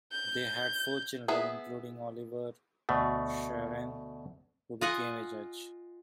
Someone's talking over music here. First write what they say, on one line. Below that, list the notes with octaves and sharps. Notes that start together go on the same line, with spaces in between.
They had four children, including Oliver Schreiner, who became a judge.
G6
B3 E4 G#4
D2 B2 A3
F4 D#5 F#5 G#5